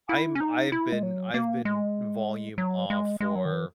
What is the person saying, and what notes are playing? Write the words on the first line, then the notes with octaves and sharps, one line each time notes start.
I'm I've been I've been "volume off" for
E4
C#4
D#4
E4
G#3
F#3
A#3
G#3
F#3
G#3
G#3
F#3
D#3
E3